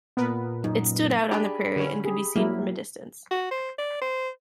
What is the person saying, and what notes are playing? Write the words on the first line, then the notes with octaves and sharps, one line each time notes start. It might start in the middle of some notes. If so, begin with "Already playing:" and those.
It stood out on the prairie and could be seen from a distance.
A#2 B3 A#4 B4
F#2 D#4
D4 G4 G#4 B5
D3 C#4
G4 G#4
F#3 G3 A#3 E4 A#4
F#4
C5
D5
C5